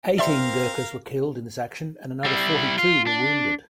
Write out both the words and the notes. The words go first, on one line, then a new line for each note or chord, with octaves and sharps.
Eighteen Gurkhas were killed in this action and another forty-two were wounded.
C4 A#4 C5 D5 E5 F5 C6
G3 E4
F4
D4